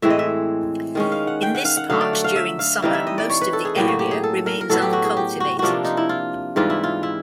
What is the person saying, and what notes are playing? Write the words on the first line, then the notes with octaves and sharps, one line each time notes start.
In this part during summer most of the area remains uncultivated.
A2 E3 G#3 C4 E5
D#5
E5
D#3 G#3 C#4
F5
F#5
G5
F#5
F5
F#5
D3 F#3 A3 F5
D5
F#5
F5
E5
F5
E3 G3 C4 D#4 F5
E5
D#5
D5
C#5
B4
A4
G#4
A2 F#3 A#3 G4
F#4
G4
G#4
A4
A#4
A#4
A2 F#3 B3 A4
G4
F#4
G#4
G4
F#4
C3 F3 A#3 D4 F4 F#4
D#4
E4
F4
G#2 E3 G3 F4
E4
F4
E4